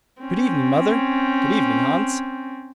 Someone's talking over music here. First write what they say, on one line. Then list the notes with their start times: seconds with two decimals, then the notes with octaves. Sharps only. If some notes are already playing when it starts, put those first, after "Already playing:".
'Good evening, mother.' 'Good evening, Hans.
0.22 C4 C#4